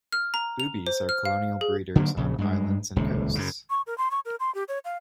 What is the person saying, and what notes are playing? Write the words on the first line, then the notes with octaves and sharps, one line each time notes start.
Boobies are colonial breeders on islands and coasts.
F6
A#5
F7
C5
F6
F5
G#4
D3 D#3 F#3 A#3
A#1 C#3
G2 G#3
D#1 C#2 C3
F#2 C#3
C#6
A#4
C6
C#6
A#4
C6
G4
C#5
F5